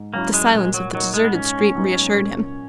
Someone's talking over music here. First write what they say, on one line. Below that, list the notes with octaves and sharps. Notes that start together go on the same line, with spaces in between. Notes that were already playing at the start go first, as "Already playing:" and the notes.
The silence of the deserted street reassured him.
Already playing: G#2
F#3 A#3 C#4 E4
G#3
A#2 G#3
F#3
F#3 A#3 D#4
G#3
B3
G#2 C#4
F#3 B3 D#4
A#2